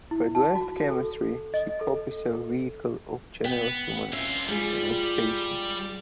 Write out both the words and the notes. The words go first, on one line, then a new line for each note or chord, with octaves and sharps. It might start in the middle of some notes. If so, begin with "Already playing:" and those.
For Advanced Chemistry, hip hop is a "vehicle of general human emancipation,".
E4
A5
F#4
A4
D#5
A4
B3 G5
C#4 F4 E5
G3 G#3 F4 G#4